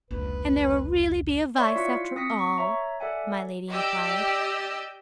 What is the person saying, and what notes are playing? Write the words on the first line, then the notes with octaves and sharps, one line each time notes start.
"And there will really be a Vice after all?" my Lady enquired.
F1 C#2 A#3 D4 B4
C#5 D5 E5 C6 C#6
E4 F4 F5 B6 C#7
C4 D#6 A#6 B6 C#7
C#6
C#5 E5 A#5
A4 D5 E5 F#5 G#5
G4 D5 D#5 G5 E6